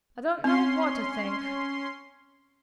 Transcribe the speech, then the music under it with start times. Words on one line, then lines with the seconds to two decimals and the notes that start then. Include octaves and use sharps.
"I don't know what to think."
0.44 C4 C#4 C6